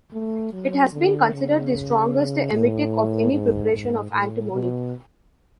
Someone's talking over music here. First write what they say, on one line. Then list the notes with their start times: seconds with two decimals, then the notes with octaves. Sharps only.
It has been considered the strongest emetic of any preparation of antimony.
0.13 A3
0.53 F#3
0.92 D3
1.33 C#3
2.52 A2
3.31 G#2
3.72 G#2
4.11 A2
4.51 B2